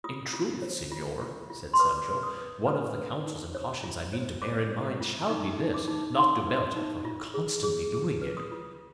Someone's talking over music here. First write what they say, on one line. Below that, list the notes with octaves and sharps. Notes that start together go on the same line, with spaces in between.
"In truth, senor," said Sancho, "one of the counsels and cautions I mean to bear in mind shall be this, not to belch, for I'm constantly doing it."
F4 D#6
F4
C5
F4
F4
F4
C6
B4 D6
B4
D#6
B4
B4
B4
D#4
C5
F4
C5
C5 D6
C5
F4
D#4 D6
D#4
D6
D#4
D#4 C6
B4
D#4
F4
G#4
G#4
G#4
B4
D#6
F4